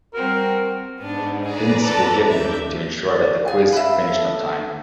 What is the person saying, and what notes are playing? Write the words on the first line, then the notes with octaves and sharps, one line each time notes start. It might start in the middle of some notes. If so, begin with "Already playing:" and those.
Hints were given to ensure that the quiz finished on time.
G3 C4 F#4 A#4
G#2 B3 D4
G#4 B4 D5 A#5
A4 A5
D#2 E5 D6 G6
D5
G#4 F5
B4 E5
A4